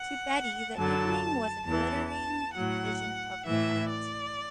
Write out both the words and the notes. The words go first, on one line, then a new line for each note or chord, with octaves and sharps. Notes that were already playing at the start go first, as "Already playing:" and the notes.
To Betty the evening was a glittering vision of delight.
Already playing: F#5
F#2 D3 F#3 A5
E2 E3 A5
A5
A2 F#3 F#5
A2 E3 E5
D5